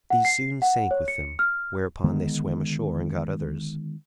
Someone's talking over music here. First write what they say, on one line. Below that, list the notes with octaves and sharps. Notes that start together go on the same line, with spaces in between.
These soon sank with them; whereupon they swam ashore and got others.
F#5
C7
F#5
C#5
C#7
F6
D3 D#3 G#3 B3